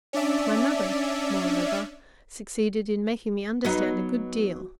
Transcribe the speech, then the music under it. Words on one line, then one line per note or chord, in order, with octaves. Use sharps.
My mother, moreover, succeeded in making me understand a good deal.
C#4 D4 D5 E5
F#3 B3 D#4